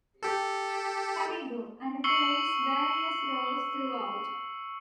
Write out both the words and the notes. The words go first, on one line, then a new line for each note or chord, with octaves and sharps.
Terrible, and plays various roles throughout.
G4 A4
C#6 E6 C7 C#7 F#7 G7